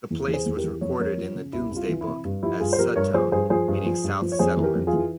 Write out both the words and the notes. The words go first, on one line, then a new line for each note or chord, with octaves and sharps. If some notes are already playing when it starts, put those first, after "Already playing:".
The place was recorded in the "Domesday Book" as "Sudtone", meaning "south settlement".
E2
E3
G#4 C5
E2
G4 A#4
E3
F2 C#5
F2 A#4 C#5
F3
C#3
C2 E4
C2
F4
E3
E4
C3
G2
F3 E4 G4
G2 F4 G#4
C5
F3 G4 A#4
G2 A#4 C#5
F3 G#4 C5
G2 G#4 C5
F3 G#4 C5
G2
F3
G2
F3
C#5
F2 G#4 C5
E3
G4 A#4
F2
F4 G#4
E3